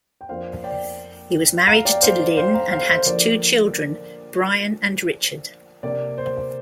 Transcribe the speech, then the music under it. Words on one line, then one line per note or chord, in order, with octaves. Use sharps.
He was married to Lynne and had two children, Bryan and Richard.
G5
F2 F3 A#3 D4 C5 F5
D5 G5
F5 A#5
D5 G5
C5 F5
D5
C5 F5
F5 A#5
C5 F5
C5
D3 F3 A#3 D5
C3 A#3 D4 D5
C5